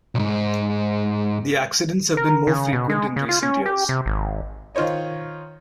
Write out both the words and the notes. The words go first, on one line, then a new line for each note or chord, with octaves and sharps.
The accidents have been more frequent in recent years.
B1 G#2
A#4
C#3
B2
G#3
C#3
F4
C#4
G4
C3
G#1
D#3 F4 C5 C#5 D#5